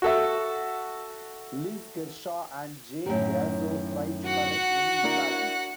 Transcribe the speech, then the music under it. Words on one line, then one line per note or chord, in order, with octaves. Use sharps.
Liz Kershaw and Jane Gazzo try to correct any imbalance.
F#4 A4 E5
F#2 A2 D#3
F#4 F#5
D4 E4 A#4